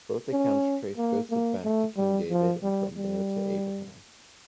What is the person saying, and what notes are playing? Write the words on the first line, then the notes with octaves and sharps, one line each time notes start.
Both accounts trace Joseph back to King David and from there to Abraham.
C#4
A#3
A#3
A3
G3
F3
G3
G3